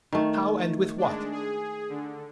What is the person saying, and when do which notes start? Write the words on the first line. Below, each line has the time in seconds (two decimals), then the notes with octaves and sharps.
How, and with what?
0.12 D#3 A3
0.98 G#3 D4
1.32 G#4
1.89 D3